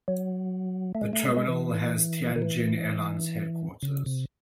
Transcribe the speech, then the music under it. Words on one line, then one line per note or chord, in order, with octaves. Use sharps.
The terminal has Tianjin Airlines headquarters.
F#3
A3
G#3
A3
G#3
G#3
E3
D#3
E3
C#3
C3